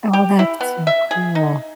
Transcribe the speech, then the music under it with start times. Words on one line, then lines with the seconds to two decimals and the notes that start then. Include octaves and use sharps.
Oh, that's so cool.
0.13 G4
0.39 E4
0.61 B3
0.87 E5
1.11 G#4
1.35 D#4